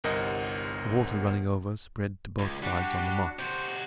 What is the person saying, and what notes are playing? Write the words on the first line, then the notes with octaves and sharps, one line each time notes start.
The water running over spread to both sides on the moss.
G1 C2 A#4 C5 D#5 F#5
C#2
G3 D4 F#4 F#5
C3 F#4 C5